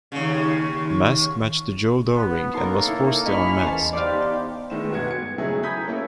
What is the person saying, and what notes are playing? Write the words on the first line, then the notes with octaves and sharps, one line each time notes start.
Mask match to Joe Doering and was forced to unmask.
D#2 C#3
B3
A#3 D#4 A4 A#4 C#5 A5 C6
E4
C#4 D#5 B5 C#6 F6
E2 C5 A5
B3 D#4 G4 C5 D5 F5
D#3 G#3 A3 B3 E7
G1 B2 F#4 G#6 C#7
G#6 C#7
C#3 F#3 A3 D#4 E4 G#4
A#5 B5 D#6 G6 G#6 B6
A#3 C#4 E4 A4 A#4 E5